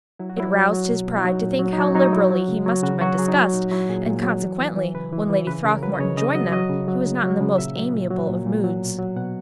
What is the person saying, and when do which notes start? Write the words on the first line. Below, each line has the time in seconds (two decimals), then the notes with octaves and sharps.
It roused his pride to think how liberally he must have been discussed, and, consequently, when Lady Throckmorton joined them, he was not in the most amiable of moods.
0.19 F#3 E4
0.29 F#4
0.37 F#3 E4
0.55 F#3
0.72 F#3
0.89 B2
1.08 B2
1.17 E4
1.24 F#3 D#4
1.43 A#2
1.59 F#3
1.73 D#4
1.78 F#3 E4
1.95 F#3 D#4
2.13 F#3 E4
2.30 F#3
2.48 C#3
2.66 F#3
2.83 C#3 F#4
3.01 F#3 F#4
3.18 F#3 G#4
3.28 D#4
3.36 F#3 E4
3.53 A#2 D#4
3.71 F#3 E4
3.89 A#2 G#4
4.06 A#2
4.23 F#3
4.41 E3
4.59 E3
4.77 E3
4.94 C#3 B4
5.13 E3
5.30 E3
5.47 C#3 B4
5.64 C#3 A#4
5.82 F#3 B4
5.93 D#5
5.99 C#3 C#5
6.17 C#3 D#5
6.35 F#3 D#5
6.52 F#3 D#5
6.70 C#3
6.88 F#3
7.06 C#3
7.23 F#3
7.41 C#3
7.58 A#2 E5
7.76 F#3
7.93 A#2
8.11 F#3
8.29 A#2
8.46 A#2
8.64 F#3
8.82 B2
8.98 F#3
9.17 B2 F#5